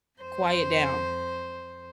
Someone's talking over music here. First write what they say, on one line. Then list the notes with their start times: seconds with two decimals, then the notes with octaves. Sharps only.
Quiet down.
0.19 F2 C5